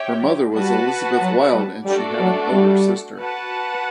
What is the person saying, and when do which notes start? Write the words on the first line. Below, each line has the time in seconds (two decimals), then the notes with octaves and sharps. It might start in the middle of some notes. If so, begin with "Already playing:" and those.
Her mother was Elizabeth Wild and she had an elder sister.
Already playing: G4 C#5 E5 G5
0.22 F#3
0.55 G3 F#4 B4 F#5 A5
1.20 F#3
1.53 G3
1.86 G3 A3 D4 F#4 A4 D5
2.19 F#3
2.51 G3
3.16 F#4 B4 F#5 A5